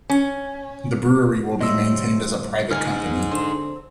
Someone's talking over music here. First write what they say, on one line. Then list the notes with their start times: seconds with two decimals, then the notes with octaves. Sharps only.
The brewery will be maintained as a private company.
0.10 C#4
1.60 A2 G3 C4 D#5 E6
2.71 D#4 G#4 F6
3.31 D3 C4